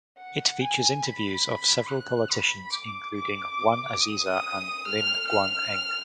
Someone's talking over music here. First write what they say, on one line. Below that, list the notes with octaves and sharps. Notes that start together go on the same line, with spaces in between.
It features interviews of several politicians including Wan Azizah and Lim Guan Eng.
F#5
G#5
B5
F#6
B5
D6
D6
D#6
F6
F6